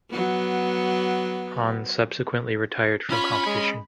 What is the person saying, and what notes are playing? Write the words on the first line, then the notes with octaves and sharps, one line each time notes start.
Han subsequently retired from competition.
F#3 B3
C#4 F4 C#5 B5
G#3